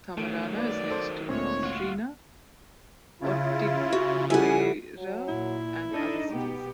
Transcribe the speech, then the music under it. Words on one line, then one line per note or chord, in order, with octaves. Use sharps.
Tamarana is next to Londrina, Ortigueira and other cities.
D#3 F#3 A3
B4 D5
A4 C5
D2 A#2 G#3 C4 C#5
F4 F#4
C#3 E4 F4
F#4
G3 E4 A4 F#5 G#5
F#3
A#2 E4
D4 D#4 A4 D#5
B2 B3 G4